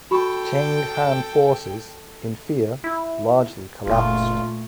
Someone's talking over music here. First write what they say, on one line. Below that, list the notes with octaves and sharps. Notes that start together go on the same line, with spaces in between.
Cheng Han forces, in fear, largely collapsed.
F#4 A4 G5 B5 C#6
E4
F#1 A#2 A3 F4